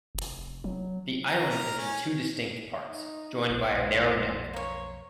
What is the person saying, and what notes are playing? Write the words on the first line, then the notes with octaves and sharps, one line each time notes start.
The island is in two distinct parts, joined by a narrow neck.
F1
F#3
A#5
A#4
C#4
D#4
B1 F2 C5
A#3 C#5